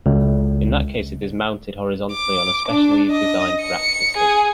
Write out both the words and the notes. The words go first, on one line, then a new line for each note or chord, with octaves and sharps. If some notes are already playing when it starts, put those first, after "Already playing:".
In that case it is mounted horizontally on a specially designed rack system.
C#2
D6
D4
D#5
C#7
G#4